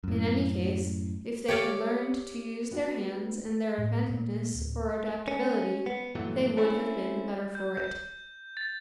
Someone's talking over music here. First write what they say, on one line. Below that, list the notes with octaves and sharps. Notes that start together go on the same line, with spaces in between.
In any case, if they had learned to use their hands and their inventiveness or adaptability, they would have been the better for it.
F#2 A2
G4 C#5 D5 F5
B3 D4 F#4
A2
A#2
D1
C#4
B3
G2 A#2 E3 F#3 A3
A3 C4 C#4 E4
G6
G6
A6